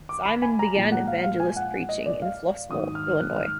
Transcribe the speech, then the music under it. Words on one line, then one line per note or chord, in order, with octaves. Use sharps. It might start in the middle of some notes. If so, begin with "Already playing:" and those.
Simon began evangelist preaching in Flossmoor, Illinois.
Already playing: D#2
D6
B5
G#5
A#5
A#2 F3 G#3 A#5
F#5
F5
F5
G#5
F#5
D#5
D5
F5
G#2 D#3 F#3 D#6
F6
F#6
F6